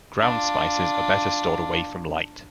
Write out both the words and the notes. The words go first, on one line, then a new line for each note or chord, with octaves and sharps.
Ground spices are better stored away from light.
D4 F4